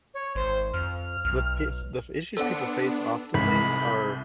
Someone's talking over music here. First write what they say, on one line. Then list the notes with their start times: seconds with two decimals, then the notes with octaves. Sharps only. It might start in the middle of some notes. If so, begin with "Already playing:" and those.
the p the issues people face oftenly are
0.14 C#5
0.35 G#1 C5
0.74 F2 F6
1.25 B1
2.37 B3 D4 A4 C5 F#5
3.34 C2 G#2 G#3 B5
3.79 G6